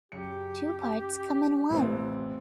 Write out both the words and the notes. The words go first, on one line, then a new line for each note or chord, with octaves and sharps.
Two parts come in one.
F#2 C#3 G4 C#7
A1 F2 C3 E3 C4